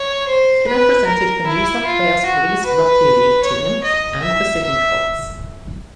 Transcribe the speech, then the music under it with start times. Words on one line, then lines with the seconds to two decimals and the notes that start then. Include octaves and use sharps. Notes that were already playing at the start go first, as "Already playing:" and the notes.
He represented the New South Wales Police rugby league team and the Sydney Colts.
Already playing: C#5
0.28 C5
0.67 B4
1.06 A#4
1.47 E4
1.86 F4
2.25 F#4
2.65 B4
3.44 C#5
3.83 D#5
4.23 E5
4.63 E5